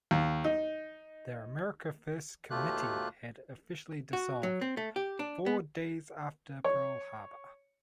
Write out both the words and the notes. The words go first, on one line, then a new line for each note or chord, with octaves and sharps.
The America First Committee had officially dissolved four days after Pearl Harbor.
D#2
D#4
D#2 B2 A3 F4 G4 F#6
F#4
F#3
C4
A3
G4
D4
B3
C#5